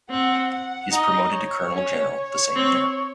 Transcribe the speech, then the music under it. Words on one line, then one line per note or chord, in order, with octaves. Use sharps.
He is promoted to colonel general the same year.
C4 F#5
F#5
D#4 D#5
C#5
C#4
C#5
C4